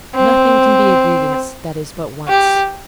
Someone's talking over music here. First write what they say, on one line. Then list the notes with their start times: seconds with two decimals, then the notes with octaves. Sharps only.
Nothing can be a grievance that is but once.
0.15 C4
2.28 G4